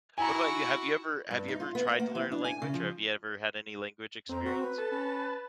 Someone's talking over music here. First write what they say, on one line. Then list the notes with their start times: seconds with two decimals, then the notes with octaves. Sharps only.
What about you? Have you ever have you ever tried to learn a language or have you ever had any language experience?
0.18 E4 F#4 G#5 A#5
1.31 G2
1.48 D#4
1.60 F4
1.75 B3
1.87 F#5
1.99 A#3
2.15 E3
2.32 D4
2.44 G#5
2.62 C#3
2.74 F3
4.29 F2 C4 A#5
4.45 F#4
4.60 B4
4.78 A4 A5
4.92 C#4